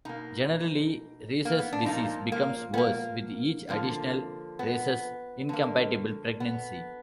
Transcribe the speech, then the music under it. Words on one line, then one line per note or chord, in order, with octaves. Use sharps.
Generally rhesus disease becomes worse with each additional rhesus incompatible pregnancy.
B2 A#3 D#4
A#3
B3
D4
A#2 F3 A#3 D#4
A#3
B3
A#3
D3 F3 A#3
B3
D3 F#3 A#3
B3